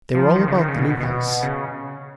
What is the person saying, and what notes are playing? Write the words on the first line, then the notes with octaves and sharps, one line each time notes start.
They were all about the new house.
F3
D#3
C#3
D#3
C#3
A#2
B2
B2
B2
C#3